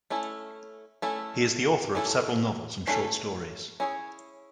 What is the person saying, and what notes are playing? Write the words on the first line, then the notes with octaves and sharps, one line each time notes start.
He is the author of several novels and short stories.
A3 C#4 E4 A4
A3 C#4 E4 A4
A3 C#4 E4 A4
A3 C#4 E4 A4
C#4 E4 G#4 C#5